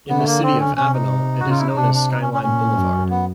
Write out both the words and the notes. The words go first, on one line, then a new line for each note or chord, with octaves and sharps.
In the city of Avenal, it is known as Skyline Boulevard.
D3 B3
A3
A#3
C4
C#4
C3 C#4
D#4
C#3 F#4
F4
E4
D#4
C3 D4
D4
D#4
C#4
C#4
A#2 C#4
F#2
B3